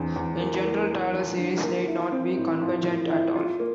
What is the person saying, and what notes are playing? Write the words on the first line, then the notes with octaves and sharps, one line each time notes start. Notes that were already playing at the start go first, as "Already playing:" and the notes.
In general, Taylor series need not be convergent at all.
Already playing: E2 D3 C4
E2
A#3
A#3
A#3
F3
D3
A#3
E4
C4
A2
F3
A2
E4
F4
A#3